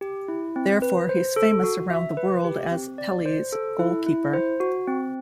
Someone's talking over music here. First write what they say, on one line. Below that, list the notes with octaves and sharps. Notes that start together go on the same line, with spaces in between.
Therefore, he's famous around the world as Pele's goalkeeper.
G4
E4
C4
B4
C5
A4
F#4
E5
B4
G4
C4
D5
C5
A4
E4
E4
C5
F#4
C4